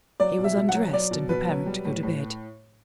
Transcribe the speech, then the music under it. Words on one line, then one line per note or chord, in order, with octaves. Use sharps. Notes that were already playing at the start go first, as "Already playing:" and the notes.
He was undressed and preparing to go to bed.
F#3 D5
B2
E5
B2
F#5
F#3
F#3 D5
B2
B2 B4
F#3
G3
A2
A2